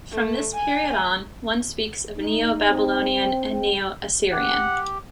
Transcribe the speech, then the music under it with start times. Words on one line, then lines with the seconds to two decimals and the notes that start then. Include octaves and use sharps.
From this period on, one speaks of Neo-Babylonian and Neo-Assyrian.
0.12 A3
0.54 G#5
2.16 D#4
2.69 C4
3.19 G5
4.32 G4 F#5